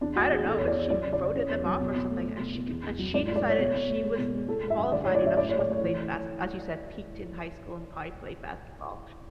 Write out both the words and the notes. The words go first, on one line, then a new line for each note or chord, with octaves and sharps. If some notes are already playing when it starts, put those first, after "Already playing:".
I don't know, but she voted them off or something, and she kicked and she decided she was qualified enough. She must've played baske as you said, peaked in high school and probably played basketball,
E2 D4
A3 F#4
E2 G#4
E2 A4
E2 C#5
D5
E2
F#3 D5
C#3
D5
C#3
C#3 C#5
E2
F#3
B2
B2
A3
A3
B2
B2
E2
E2
F#3
G#2 D5
A3
D5
A3 C#5
B2
B2
A3
G#3
B2
G#3
G#3 A4
G#3
E5
F#2
D3 D5
C#5
A3
D5
F#2 E5
A2 D5
C#5
A2
D5
A3 C#5
E3